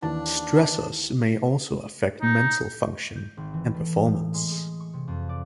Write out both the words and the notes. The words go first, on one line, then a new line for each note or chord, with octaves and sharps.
Stressors may also affect mental function and performance.
D#2 E3 D4 A5
D#4
G6
G#1
E3
A3
A2
G#3
G#4
C#6
C3
F2
D5